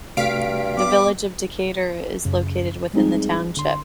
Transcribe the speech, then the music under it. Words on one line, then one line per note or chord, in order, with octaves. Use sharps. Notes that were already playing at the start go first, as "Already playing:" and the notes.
The village of Decatur is located within the township.
G2 C3 A3 F#4 F5 B6 D7
B3 D6
F#2 C#3
G3 G#3 C4 D#4 G#4
D3 C6